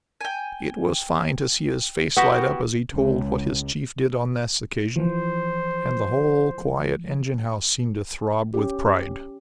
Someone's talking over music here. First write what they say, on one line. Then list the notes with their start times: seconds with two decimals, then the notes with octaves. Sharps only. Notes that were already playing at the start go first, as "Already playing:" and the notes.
It was fine to see his face light up as he told what his chief did on this occasion, and the whole quiet engine-house seemed to throb with pride.
0.21 G5 G#5
2.17 B3 E4 F#4 G4
2.93 C#2
4.96 E3 F3 C5
8.54 C#4 G4